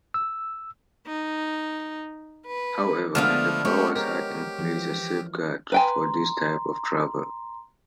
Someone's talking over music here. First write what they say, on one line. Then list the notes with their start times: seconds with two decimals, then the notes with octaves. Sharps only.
However, the Powers had in place a safeguard for this type of travel.
0.14 E6
1.07 D#4
2.47 B4
3.15 D3 F3 G#3 A3 B3 D4 F5 F6
3.65 G#3 A3 B3 G4 C5 C#5
3.96 G4 A#4
4.59 E3 F3
5.72 B4 G5 G#5 A#5 C6